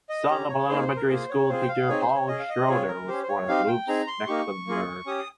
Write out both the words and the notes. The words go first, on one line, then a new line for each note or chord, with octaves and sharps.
Son of an elementary school teacher, Paul Schröder was born in Lübz, Mecklenburg.
D#5
C#4 G4 A#5
C#5
A#3 D#4 G#4 C5
C5
A#4
A#3 F4 G#4 C5
C#5
C4 F4 G#4 C5
G5
F5
C4 D#4 G#4 C#5
C5
C#5
C#4 G#4 D#5
F5
D#5
C4 F4 G#4 C#5
A#4
C#4 G4 C5
C5
C#5
C4 D#4 G4 F5
G5
C4 D#4 G#4 A#5
C6
A#3 D#4 G4 C#6
A#3 F4 G#4
C#4 G4 D#6